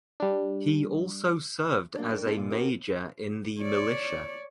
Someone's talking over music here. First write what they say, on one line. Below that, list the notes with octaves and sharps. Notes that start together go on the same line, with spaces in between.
He also served as a major in the militia.
G3 D4
F#3 A#3 C#4 D4
F2 D4 A#4
C4 C#4 D#4 G4 A4
D#2 A#2
C#4 D#4 F#4 G4 A#4
C#5 D5